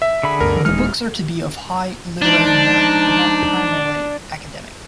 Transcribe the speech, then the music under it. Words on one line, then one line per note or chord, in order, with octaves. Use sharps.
The books are to be of high literary merit but not primarily academic.
E5
D3 G#4 B5
D2 G2 A#4
D#1 G#3 D#4 G#4 F6
F3 G#3 D4 D#4